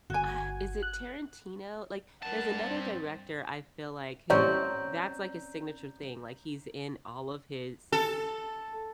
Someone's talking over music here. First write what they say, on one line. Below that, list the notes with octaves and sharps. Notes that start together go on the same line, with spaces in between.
ugh is it Tarantino? Like, there's another director I feel like who that's like a signature thing, like he's in all of his,
G1 F#4 G#5 G#6
F#6
G2 A#4 F#5 A5
C4
A1 C4 C#4 D5 F#5 A#5 G6
A4